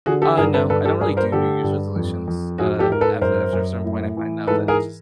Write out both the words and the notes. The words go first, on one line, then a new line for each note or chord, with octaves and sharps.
Uh, no. I don't really do New Year's resolutions. Uh, aft after a certain point, I find out that it's just
D3 F#4 G#4
G4 A4
G2 G#4 A#4
A4 B4
G2 A4 B4
G4 A4
G2 G#4 A#4
A#4 C5
D3 G4 A4
G2
F2
F2
G#2 F#4 G#4
G4 A4
G#2 A#4
A4 B4
F#2 A#4 C5
F#2
A2
E3
G#2 A4 B4
G#4 A#4